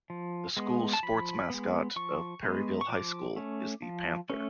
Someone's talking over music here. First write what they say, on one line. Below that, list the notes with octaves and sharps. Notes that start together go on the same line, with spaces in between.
The school sports mascot of Perryville High School is the panther.
F3
G#3 B3
A5
F3 B5
G#3 B3
F3 C#6
G#3 B3
C#6
F3 D6
A3 C#4
F3
A3 C#4